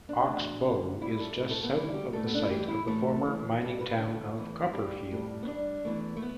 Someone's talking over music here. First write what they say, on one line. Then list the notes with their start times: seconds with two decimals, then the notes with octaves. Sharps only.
Oxbow is just south of the site of the former mining town of Copperfield.
0.09 D4
0.27 E2 B2 A3
0.63 D2 D3 G3
1.01 A2 G3 E4
1.20 A4
1.38 A2 A3 E4
1.51 A4
1.64 B3
1.75 D2 D3 G3 E4
1.94 G4
2.13 A2 A3 A4
2.26 B3
2.34 D4
2.42 E4
2.49 G2 E3 A3 G4
2.68 E4
2.87 A2 E3 A3 A4
3.25 E2 E3 A3
3.62 G2 G3 A4
3.80 B4
3.98 D2 D3 A3 A4
4.35 E2 E3 A3
4.62 E4
4.73 G2 G3 G4
5.11 A2 G3
5.42 B3
5.47 G2 G3 D4
5.85 E2 E3 A3
6.16 A3
6.22 B3